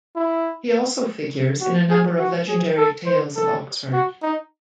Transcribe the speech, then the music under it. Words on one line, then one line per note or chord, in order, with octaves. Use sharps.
He also figures in a number of legendary tales of Oxford.
E4
F#4
G#4
F#4
G#4
A4
C5
A4
F#4
D#4